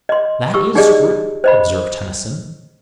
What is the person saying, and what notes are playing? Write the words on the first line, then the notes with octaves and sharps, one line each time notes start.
"That is true," observed Tennyson.
D#5 C6
G4 C#6 E6
D#4 G4 G#4 D5 D#5
C5 D#5 B5